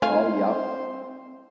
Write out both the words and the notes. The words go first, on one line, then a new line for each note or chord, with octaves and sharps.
Oh, yep.
A3 C4 F4 C5 F5 G#5